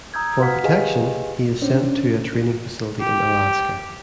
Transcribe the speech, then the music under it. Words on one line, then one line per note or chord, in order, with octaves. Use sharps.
For protection, he is sent to a training facility in Alaska.
A#5 D#6 E6 G6 G#6
F#4 B4 F5 F#5 F6 B6
G4 G#4 B4 D#5 F5 G#5
C#4 D4 C5 C#5
G4